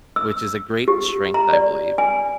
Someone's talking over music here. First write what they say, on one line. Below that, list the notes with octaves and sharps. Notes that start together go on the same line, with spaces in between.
which is a great strength, I believe,
E6
G4
A#5
D5
G#5